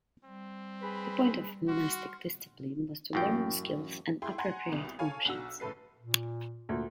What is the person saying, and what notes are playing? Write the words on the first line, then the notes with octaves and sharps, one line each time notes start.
The point of monastic discipline was to learn skills and appropriate emotions.
G3 C4
G#4 B4 B5
F#4 C6 F6
A1 F#2 G5
E4 G#4 G5 C6
F#5 G#5 A#5 C6 G#6
C2 B2
A4 C#5 F5 G#5
B1 D4 F#4 E6
F#1 A2 A4 B4 C7
A#2
D2 A#2